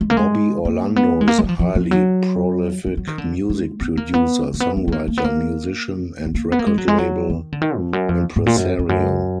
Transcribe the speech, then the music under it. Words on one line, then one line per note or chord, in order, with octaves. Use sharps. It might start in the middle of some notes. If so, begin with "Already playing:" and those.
Bobby Orlando is a highly prolific music producer, songwriter, musician, and record label impresario.
G#3
A#3
G#3
A#3
B3
G#3
A#3
G#3
F#3
F3
F3
F3
F#3
F#3
F#3
D#3
D3
G#3
B3
A#3
B3
A#3
B3
B3
B3
A#3
A#3
B3
A#3
B3
A#3
B3
A#3
G#3
F#3
G#3
F#3
D#3
D3
D#3
F2
F#2
F2
G#2
A#2
F#2
F2
F#2